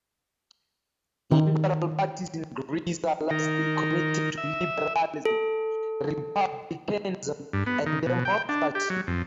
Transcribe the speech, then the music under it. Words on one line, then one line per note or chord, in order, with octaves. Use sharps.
Liberal parties in Greece are largely committed to liberalism, republicanism and democracy.
D#3
D#3 A#4
E5
A4
G2
B3
D#3
B2
G5
D4
G4
F#3
F2